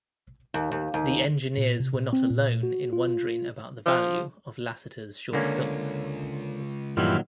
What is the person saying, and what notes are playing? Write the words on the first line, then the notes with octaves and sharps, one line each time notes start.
The engineers were not alone in wondering about the value of Lasseter's short films.
D#2
D#2
D#2
A#2
C3
A#2
C4
A#2
F#4
F4
F3
C#2 D3 A#3 C#4
G2 A#2 D#3 E3 F#3 F4